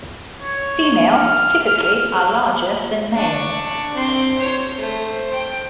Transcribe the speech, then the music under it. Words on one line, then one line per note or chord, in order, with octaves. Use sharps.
Females typically are larger than males.
C#5
F6
D4 C#6
C4 C6
C5 C#5
A3 C5
G5